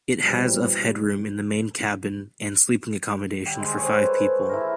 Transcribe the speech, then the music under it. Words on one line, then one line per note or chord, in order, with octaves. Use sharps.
It has of headroom in the main cabin and sleeping accommodation for five people.
A#1 B2 E3 F3 G3
D3 G3
G#3 C6
G#4 A4 C5 C#5
B4 C5
E4 G#4 A#4